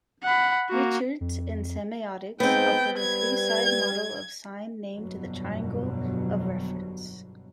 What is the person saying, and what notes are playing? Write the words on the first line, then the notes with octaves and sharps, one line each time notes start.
Richards in semiotics, offered a three-side model of sign named the triangle of reference.
F#5 B5
A#3 F#4
F2
G#2 B3 C4 G5
G3 G#6
G1 F2 B2 F#3